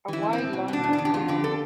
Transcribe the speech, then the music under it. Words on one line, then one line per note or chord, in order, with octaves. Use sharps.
A wide line of people.
E3 E4
A2
C4
A2
B2
B2 D4
E2
D4
E2
G4
F2 F4
D3 G4
A4